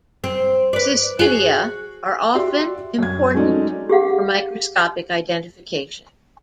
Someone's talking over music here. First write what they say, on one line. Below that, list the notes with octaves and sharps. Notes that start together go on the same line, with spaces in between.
Cystidia are often important for microscopic identification.
C4
B4 D5
F#4 G#4
F#4 G4 D5 E5 C6
F#2 G#6
F#3 G#3 A3 C#4 D#4 D5
G4 G#4 F5 F#5